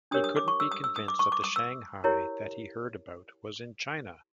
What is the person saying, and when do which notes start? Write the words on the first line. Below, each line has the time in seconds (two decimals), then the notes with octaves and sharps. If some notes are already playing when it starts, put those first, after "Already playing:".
He couldn't be convinced that the Shanghai that he heard about was in China.
0.11 D4 G4 A#4 C#5 D#6
0.24 D#6
0.36 D6
0.48 C#6
0.60 E6
0.72 D#6
0.84 E6
0.96 D#6
1.08 D6
1.19 C#6
1.32 D6
1.44 D#6
1.56 E6
2.04 E4 G4 A#4 C#5